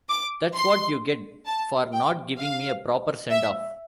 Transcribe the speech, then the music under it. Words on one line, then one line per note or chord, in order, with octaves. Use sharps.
That's what you get for not giving me a proper send off.
D6
C6
A5
G5
F5
E5